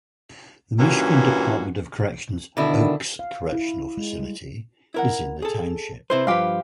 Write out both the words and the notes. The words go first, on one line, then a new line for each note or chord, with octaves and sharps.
The Michigan Department of Corrections Oaks Correctional Facility is in the township.
G2 A#2 E3 C#4 F#4
B2 D3 D#3 D4 E4
F5
E4
G#3
G3
E4 A#4 F#5
G#4 A4
C3 E4 B4 C5
G2 F3 G4 B4 F5